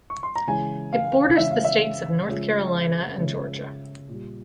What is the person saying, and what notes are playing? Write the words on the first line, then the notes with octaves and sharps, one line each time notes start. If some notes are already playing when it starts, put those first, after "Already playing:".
It borders the states of North Carolina and Georgia.
C#6
C6
A#5
C#3 E3 G#3 G#5
F5
C#3 E3 G#3 E5
F5
E5
C#3 F3 G#3
C#3 F3 G#3
A#2 G3